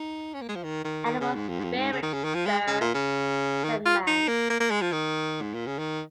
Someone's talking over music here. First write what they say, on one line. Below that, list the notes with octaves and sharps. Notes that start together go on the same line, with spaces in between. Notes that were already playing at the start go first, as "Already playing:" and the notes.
"Animal spirits, sir," said Mann.
Already playing: D#4
C#4
A#3
G#3
F3
D#3
D#3
D#3
C#3
G#2
F2
G#2
F2
G#2
C#3
D#3
C#3
D#3
F3
G#3
C#3
A#2
C#3
D#3
F4
D#4
A#3
A#3
A#3
G#3
F3
D#3
G#2
A#2
C#3
D#3